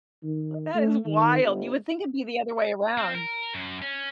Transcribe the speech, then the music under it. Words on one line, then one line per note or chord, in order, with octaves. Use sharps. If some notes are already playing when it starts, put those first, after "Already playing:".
that is wild, you would think it'd be the other way around.
D#3
A3
D#3
G1
C4
A#4
F#2
C#4